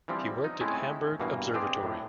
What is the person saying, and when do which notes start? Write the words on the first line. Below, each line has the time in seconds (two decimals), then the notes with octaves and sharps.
He worked at Hamburg Observatory.
0.08 E3 F3 G3 C4
0.44 D#4
0.61 G#3 A3 C4 C#4 E4
1.20 G2 B2 E3 A#3
1.54 C4 D4 G4 G#4
1.83 A2